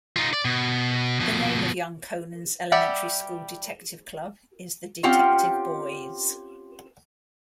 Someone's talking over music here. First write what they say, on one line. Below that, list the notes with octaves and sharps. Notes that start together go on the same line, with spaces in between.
The name of young Conan's elementary school detective club is the "Detective Boys".
D#4 F4
D5
B2
B2 F3
G3 G4 D5 E5 F#5
C4 C#4 F4 G4 F#5 G5